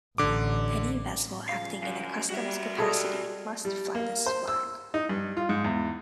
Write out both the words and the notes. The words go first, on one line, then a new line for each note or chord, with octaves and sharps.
Any vessel acting in a customs capacity must fly this flag.
A1 D3 D6
C#3 F3 F5
F#2
G3 F#4 E5
G#4 A4 D#5
G3
A#3
C5
E6
D#4
G2
F4
G#2
E2